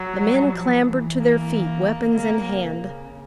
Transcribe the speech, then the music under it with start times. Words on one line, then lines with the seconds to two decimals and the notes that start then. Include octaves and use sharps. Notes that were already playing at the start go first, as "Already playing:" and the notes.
The men clambered to their feet, weapons in hand.
Already playing: F#3
0.20 G3
0.52 F3
0.85 E3
1.18 A#3
1.83 D#3
2.15 C#3 A#3
2.48 C3
2.80 C#3